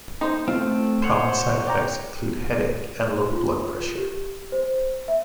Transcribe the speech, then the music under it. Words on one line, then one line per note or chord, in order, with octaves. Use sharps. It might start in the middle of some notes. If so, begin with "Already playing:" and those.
Common side effects include headache and low blood pressure.
D#4 C5
A3 C4 F4
C5 C#5 F#5
D5 G5 A#5
F4
G4
C5
E5